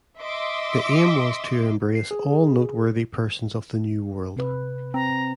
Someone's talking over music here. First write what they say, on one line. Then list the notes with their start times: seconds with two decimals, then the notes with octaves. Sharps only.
The aim was to embrace all noteworthy persons of the New World.
0.19 D#5 E5 C6 D6
1.95 C7
2.11 G#4
4.37 C3 B4
4.94 C4 A#5